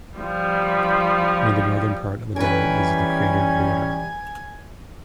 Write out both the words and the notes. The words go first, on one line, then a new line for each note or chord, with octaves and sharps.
Near the northern part of the valley is the crater Borda.
F3 G3
E3 G3 C#4 A#4 B4 G#5